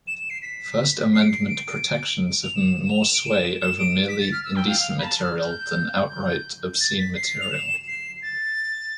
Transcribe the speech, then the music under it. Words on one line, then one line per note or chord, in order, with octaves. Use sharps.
First Amendment protections have more sway over merely indecent material than outright obscene material.
E7
E7
C7
B6
C7
D7
C7
D7
F7
E7
E7
F7
E7
D7
E7
E7
D7
B6
A6
F6
E6
G5
F5
F5
B5
A5
F6
G6
G6
A6
B6
C7
F7
E7
C7
A6